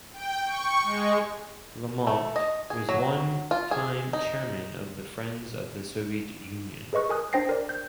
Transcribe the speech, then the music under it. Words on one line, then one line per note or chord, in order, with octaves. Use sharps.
Lamont was one-time chairman of the Friends of the Soviet Union.
G5
C#6
G#3
A3
D#5
G#4
F#3
F4
G#4
D#4
G#4 B4 D#5 C#6 F#6
A#4 G#5 D#6 F#6
D4 C5 G5 A#6 C7
A#4 D5
G6